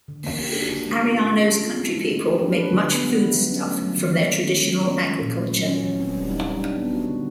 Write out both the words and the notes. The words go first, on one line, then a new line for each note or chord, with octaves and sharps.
Ariano's countrypeople make much foodstuff from their traditional agriculture.
D3
A#3
G4
D4
A#3
G#3
F4
C#4
A4
G#3
F4
C4
G#3
A3
G4
D4
B4
D3
B3
G3
E4
F#3
C#4
A3
F#3
D#3
A#3
G3
C#4
G#3
F4
C#4
G#3
A#2
A3
F#3
C#4
E3
C4
G3
D#4
G3
D4
B3
F#4
D3